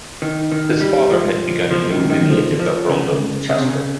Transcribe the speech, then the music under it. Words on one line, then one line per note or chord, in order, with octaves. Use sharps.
His father had begun a new lineage of the earldom of Chester.
D#3
D#3
G3
F3
F3
D#3
D#3
F3
F3
C#3
C#3
C3
C#3